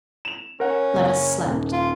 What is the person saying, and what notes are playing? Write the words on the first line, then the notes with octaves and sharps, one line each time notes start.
Levice slept.
E7 F7
C#4 A#4 F#5
F#1
D#1
F4